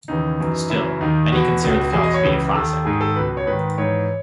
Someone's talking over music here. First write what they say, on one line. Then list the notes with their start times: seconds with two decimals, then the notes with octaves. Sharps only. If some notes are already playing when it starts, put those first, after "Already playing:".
Still, many consider the film to be a classic.
0.08 D#2 C#3 E3 D#4
0.40 F#2 E3
0.70 F#2 C#3 E3 E4
1.01 D#2 D#3 D#4
1.32 E2 B2 F#4
1.62 C#2 B2
1.93 E2 B2 G#4
2.04 D#5
2.14 C#5
2.23 C#2 C#3 E3
2.55 D#2 D#3 A4
2.85 G#2 D#3 G#4
3.01 A4
3.16 C#2 B2 B4
3.37 C#5
3.47 G#2 D#3 B4
3.78 G#2 E3 C#5